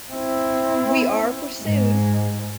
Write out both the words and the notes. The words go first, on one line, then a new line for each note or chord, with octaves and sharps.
We are pursued.
C4 E4
G#2 G#3